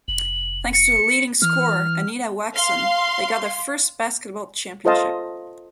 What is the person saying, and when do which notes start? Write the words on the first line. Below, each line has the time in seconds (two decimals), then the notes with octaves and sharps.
Thanks to the leading scorer, Anita Waxen, they got their first basketball championship.
0.08 F1 F#7
0.73 C#7
1.42 E3 F6
2.55 F5 C6
4.85 F4 A4 C5 D#5 F5 A5